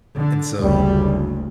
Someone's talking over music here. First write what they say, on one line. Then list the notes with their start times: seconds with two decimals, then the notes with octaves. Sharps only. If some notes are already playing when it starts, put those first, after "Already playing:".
And so
0.15 D3
0.60 F#1 D2 G3